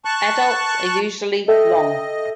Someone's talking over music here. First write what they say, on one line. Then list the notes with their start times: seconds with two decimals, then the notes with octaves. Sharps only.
Adults are usually long.
0.05 A5 C#6 F#6
1.48 A4 D#5 E5 G5